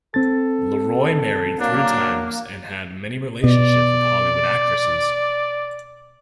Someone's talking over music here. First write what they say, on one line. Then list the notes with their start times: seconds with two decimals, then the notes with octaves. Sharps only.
LeRoy married three times and had many relationships with Hollywood actresses.
0.14 C4 A4 A6
1.60 F#3 A#3 D4
3.44 B2 D5